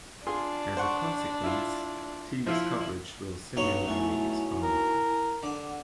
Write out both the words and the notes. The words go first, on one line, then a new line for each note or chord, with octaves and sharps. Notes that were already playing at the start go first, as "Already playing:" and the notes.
As a consequence, Telus' coverage will similarly expand.
D4 F4 G#4 C6
C5 F#5 C#6
E4 F4
F3 E4 F4 E5
B1 G2 F#3 C#5
A3 E4 G#5
A#4
D3 F#5 D6